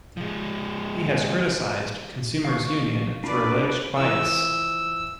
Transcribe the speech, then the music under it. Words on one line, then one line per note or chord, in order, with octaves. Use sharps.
He has criticized Consumers Union for alleged bias.
F3 G#3
F5 C#6
D4 F4 A#4 B4 D5
E3 F3 E6